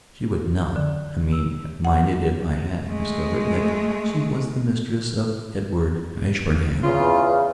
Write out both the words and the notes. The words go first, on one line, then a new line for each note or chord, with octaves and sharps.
She would not, I mean, have minded if I had discovered that she was the mistress of Edward Ashburnham.
D3
E6
F#5
G#3 A3
E2 C#3 F4